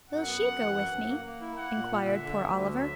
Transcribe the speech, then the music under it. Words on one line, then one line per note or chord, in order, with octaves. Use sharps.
'Will she go with me?' inquired poor Oliver.
F#2 F#5
B3
F#2
E3
F#2
F#2
A#3
A#3
E4
A#3 F#5
A#2
A#2
D3 E5
D3
D2
D3 E5
F#3